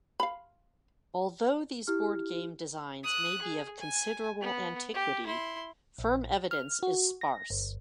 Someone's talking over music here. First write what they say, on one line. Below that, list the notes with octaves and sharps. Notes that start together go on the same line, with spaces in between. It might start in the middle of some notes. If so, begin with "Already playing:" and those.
Although these board game designs may be of considerable antiquity, firm evidence is sparse.
F5 B5
E4 G4 F6
D#6 F#6
G#4
G#5
B3
G4
E4 C6
A#1
F6
F#4
A#6
G1